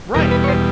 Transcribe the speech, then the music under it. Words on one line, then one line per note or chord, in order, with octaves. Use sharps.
Right, and
E2 B2 G3 A#4
B4
C#5
C5